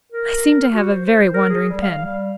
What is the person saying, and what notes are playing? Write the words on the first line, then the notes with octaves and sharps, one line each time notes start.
I seem to have a very wandering pen.
A#4
F#4
C5
C5
A#4
G#4
G3
F5
G3